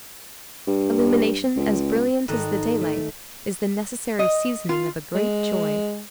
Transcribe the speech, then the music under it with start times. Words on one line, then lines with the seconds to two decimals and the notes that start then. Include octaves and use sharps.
Illumination as brilliant as the daylight is the necessary seasoning of a great joy.
0.68 G2
1.56 C#2
2.28 G#1 D#3 A4 D#5 A#5 F#6
2.81 A3
4.19 D#5
4.69 F4
5.15 G#3